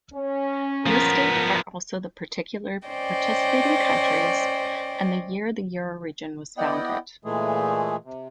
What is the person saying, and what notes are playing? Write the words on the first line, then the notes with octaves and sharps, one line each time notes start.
Listed are also the particular participating countries and the year the euroregion was founded.
C#4
F3 B3 A#4
C#4 C5 D5 D#5 G5
B3 E4 D5 D#5 F#5 G5
A#2 E3 G#3 A3 G#4
C3